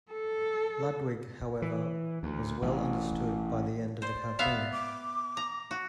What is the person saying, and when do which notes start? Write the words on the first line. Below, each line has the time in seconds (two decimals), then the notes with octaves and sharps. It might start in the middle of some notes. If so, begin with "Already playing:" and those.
Ludwig however was well understood by the end of the cartoon.
0.12 A4
1.62 E3
2.23 D2
2.62 A1
4.02 C5 D5
4.39 B3 E5 F5
4.72 D6
5.37 A#5
5.71 F#4